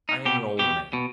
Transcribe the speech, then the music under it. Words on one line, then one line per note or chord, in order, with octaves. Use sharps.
I am an old man.
D#4
B2 G4
B2 G4
B2